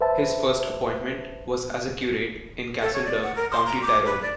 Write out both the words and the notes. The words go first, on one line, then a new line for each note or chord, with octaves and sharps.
His first appointment was as a Curate in Castlederg, County Tyrone.
B4 C5 E5 A5
A4
C#5
D5
F#5
A#4
C6
A#5
D6
B4
D5